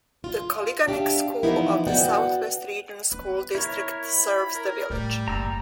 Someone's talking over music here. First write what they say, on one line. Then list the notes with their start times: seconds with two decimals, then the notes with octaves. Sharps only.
The Koliganek School of the Southwest Region School District serves the village.
0.24 F4
0.88 D4 G4 E5 F5
1.43 E3 F3 B3 D#4 E4
1.87 B3 F#4 D5 F#5 G5
3.12 B3 B4
3.55 E4 A#4 C#5
4.07 B5
4.55 A#4
4.90 A2 G3
5.28 F#1 A#5 E6